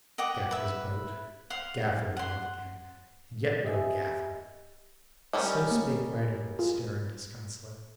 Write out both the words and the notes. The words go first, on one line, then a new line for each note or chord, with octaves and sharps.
'Gaffer's boat, Gaffer in luck again, and yet no Gaffer!' So spake Riderhood, staring disconsolate.
D#5 F#5 G5 D6
B4 E5
C5 F5 F#5
F#5 C6
G4 D#5 E5 G#5
D#3 G3 C#4
A#3
F4 G#4